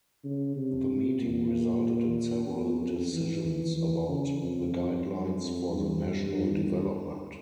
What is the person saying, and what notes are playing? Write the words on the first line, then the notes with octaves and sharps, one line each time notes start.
The meeting resulted in several decisions about the guidelines for the national development.
C#3
C3
A#2
E2
F2
E3
E3
C#3
F2
G2
F2
G2
G2
G2